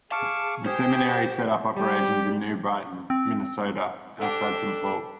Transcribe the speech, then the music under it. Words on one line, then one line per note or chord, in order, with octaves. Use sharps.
The seminary set up operations in New Brighton, Minnesota, outside Saint Paul.
G#4 F5 A5 C#6 D6
G4 G#4 C5
G3 G4
C4
D4 G4 A4